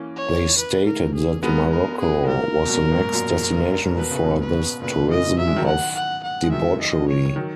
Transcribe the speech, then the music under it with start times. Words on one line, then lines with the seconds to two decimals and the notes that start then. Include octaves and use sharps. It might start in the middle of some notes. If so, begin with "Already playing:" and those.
They stated that Morocco was the next destination for this "tourism of debauchery".
Already playing: E3 A#3 C#4
0.16 C#5
0.58 B4
0.86 A#4
1.14 G#4
1.43 G#3 B3 A#4
1.71 A#4
2.00 G#4
2.24 G#3
2.27 F#3 A#3 A#4
2.65 B2
2.70 F#2 A#2
2.92 G#2
3.13 F#2 A#2
3.97 B2 B4
4.11 C#3
4.24 G#2 B2
4.40 B4
4.82 A#2 C#3 B4
5.10 C#3 E3 D#5
5.38 F#3 E5
5.47 G#3
5.56 D#3 F#3
5.66 F#5
5.95 F#5
6.23 F#5
6.43 G#3
6.52 D#3 F#3 E5
6.80 D#5
7.08 C#5
7.36 D#3 F#3